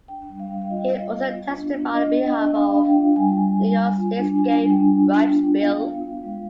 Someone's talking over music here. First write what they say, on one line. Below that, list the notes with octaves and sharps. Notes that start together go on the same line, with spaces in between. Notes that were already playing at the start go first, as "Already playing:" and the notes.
He also testified on behalf of New York State's Gay Rights Bill.
D4 G5
G3
F5
G3
F5
F4 D#5
F4
B3
F4
D4
B3
D4 D#5
D4
G5
D4
D4 F5
D4
G5
F4
G3 G#5
G3
G3
G3
F4
D4
D4 G#5
G3
G5
D4
F4
B3
F4
B3 F5
B3
F4
G#3